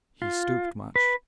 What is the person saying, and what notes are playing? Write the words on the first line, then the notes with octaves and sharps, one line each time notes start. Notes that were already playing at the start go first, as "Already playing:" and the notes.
He stooped much.
F4
B4